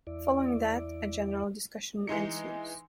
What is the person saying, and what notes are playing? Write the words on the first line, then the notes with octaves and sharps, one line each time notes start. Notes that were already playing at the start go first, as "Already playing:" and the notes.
Following that a general discussion ensues.
E2 E4 D5
E3 G#3 D#4 C#7